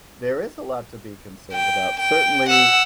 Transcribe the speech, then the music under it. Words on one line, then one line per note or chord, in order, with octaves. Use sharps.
there is a lot to be concerned about, certainly
G5
G5
F#5 E6